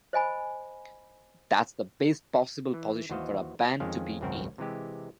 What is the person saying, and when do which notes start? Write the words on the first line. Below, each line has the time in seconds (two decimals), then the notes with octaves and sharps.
That's the best possible position for a band to be in.
0.13 C5 D#5 G#5 B5
2.74 E3
3.10 D#2 E3 F#4 C5 D#5 F5
3.80 F2 D#3 G#3 C#4 C5 F5
4.21 G#1 C#2 F#2 C4 F#4 A#4
4.58 C3 E3 G#3 G4